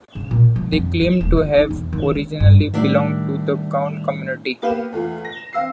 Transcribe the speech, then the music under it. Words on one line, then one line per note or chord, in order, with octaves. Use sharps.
They claim to have originally belonged to the Gond community.
C#3
A#2
F3
F2
F4
D#1
F4
D#4
E2
D#3
G#3
G2
A2 D#3 G3 D4 D5
A#3 B3 G4 B4 F5
E2 A3 F4
A#6
C4 F5 E6 C7